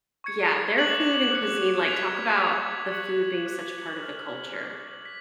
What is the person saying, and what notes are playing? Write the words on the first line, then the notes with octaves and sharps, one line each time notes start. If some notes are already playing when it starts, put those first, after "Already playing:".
Yeah. Their food and cuisine like, talk about the food being such part of the culture.
C#6 G#6 C#7
D6 F#6 C#7 F#7
D6 F#6 C#7 F#7
G#6 B6 F7
G#6 B6 F7
C#6 F#6 C#7 F#7
C#6 F#6 C#7 F#7
F6 G#6 B6 F#7
F6 G#6 B6 F#7
B6